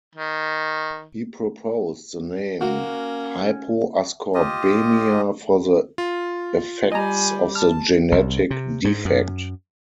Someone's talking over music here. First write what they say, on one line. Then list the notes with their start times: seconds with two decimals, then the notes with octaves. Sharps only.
He proposed the name hypoascorbemia for the effects of this genetic defect.
0.15 D#3
2.61 A#3 C#4 F#4
4.34 F4 G4 D#5
5.98 F4
6.92 G3 D#5 G#5 A#5
7.55 A5 F6
8.12 C2
8.51 C3
8.85 G#2
9.05 F#2